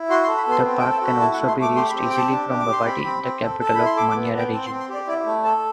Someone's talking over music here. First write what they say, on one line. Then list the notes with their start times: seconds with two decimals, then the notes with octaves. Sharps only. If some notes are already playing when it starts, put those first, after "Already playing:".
The park can also be reached easily from Babati the capital of Manyara Region.
Already playing: E4
0.09 F#4 C6
0.24 C6
0.28 A4
0.38 B5
0.47 B3 C6
0.65 C4
0.79 G5
0.83 A4
0.92 A5
1.01 F#4
1.07 B5
1.20 E4 A5
1.34 F#5
1.38 A3
1.48 C6
1.57 A3 D6
1.76 G4 C6
1.90 B5
1.94 C4
2.10 G5
2.13 G4 A5
2.30 D4
2.49 G4
2.59 D6
2.67 G4
2.72 C6
2.86 C4 B5
3.04 C4
3.23 C4
3.42 A4
3.60 A4 A5
3.75 E4 B5
3.86 C6
3.96 A4 D6
4.10 D6
4.15 B3
4.24 A5
4.33 B3
4.38 G5
4.52 C4 A5
4.66 C6
4.70 C4
4.80 C6
4.89 G4 D5
5.08 E4 D5
5.26 A3
5.44 A4 A5